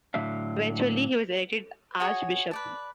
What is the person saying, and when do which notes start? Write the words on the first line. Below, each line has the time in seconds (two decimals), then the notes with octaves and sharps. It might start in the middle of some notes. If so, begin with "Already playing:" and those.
Eventually he was elected archbishop.
0.14 A2 D3 F#3 E5 F5
2.00 F#4 G#4 C#5
2.51 B4 D5 A5